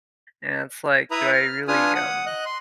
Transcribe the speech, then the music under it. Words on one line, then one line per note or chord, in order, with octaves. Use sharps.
And, it's like, do I really, um,
E4 B4 E5 A#5 B5 D#6
F6
D4 F4 B4 G#5 D#6 F6
F#5 D#6
D#5 F#6
C6